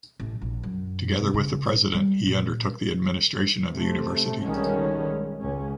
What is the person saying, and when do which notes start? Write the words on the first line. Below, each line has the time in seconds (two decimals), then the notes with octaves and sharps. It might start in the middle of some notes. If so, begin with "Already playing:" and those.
Together with the president, he undertook the administration of the university.
0.20 A1
0.41 A#1
0.63 F#2
1.20 C3
1.34 C#3
1.75 A2
1.93 G3
2.27 A#2
3.73 C3 A3 C4
4.42 B1 D3 D#3 G3 G#3 C#4
5.40 C#2 C#4